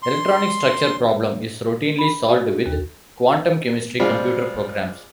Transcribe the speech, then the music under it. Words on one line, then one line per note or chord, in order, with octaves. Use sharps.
Electronic structure problem is routinely solved with quantum chemistry computer programs.
C6
B5
F#4
D#2
F3 G3 G#3 C4 F4